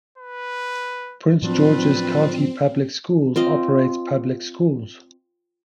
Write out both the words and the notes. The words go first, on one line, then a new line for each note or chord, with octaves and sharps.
Prince George's County Public Schools operates public schools.
B4
A2 F3 F#3 C4 D4 F4 B4
C4 F4 D#5